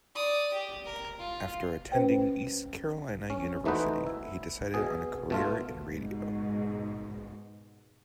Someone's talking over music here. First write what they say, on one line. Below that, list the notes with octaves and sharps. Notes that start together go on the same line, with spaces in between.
After attending East Carolina University, he decided on a career in radio.
D5 D#6
G4
A#4
F4
C#4 B4 C5 G5
C#4
E3 A3 D#4 F#4 B4 C5
E4
B2 G#4
B2 A3 F4
G#2 B2